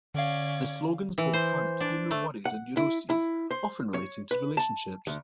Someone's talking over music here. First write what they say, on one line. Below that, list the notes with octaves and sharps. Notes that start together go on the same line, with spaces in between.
The slogans poke fun at female worries and neuroses, often relating to relationships.
D3 C#4 D5 F5 G#6
E3
C5
D4
A3
F#5
E4
E4
C5
C#5
B4
A5
D2